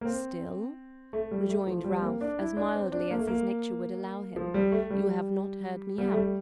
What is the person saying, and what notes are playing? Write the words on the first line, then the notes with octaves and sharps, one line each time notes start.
'Still,' rejoined Ralph, as mildly as his nature would allow him, 'you have not heard me out.
A#3
C4
A3
G3
A3
F3
G3
C4
A#3
D4
E4
D4
C4
D4
A#3
A3
A#3
F3
G3
A3
G3
G3
A3
G3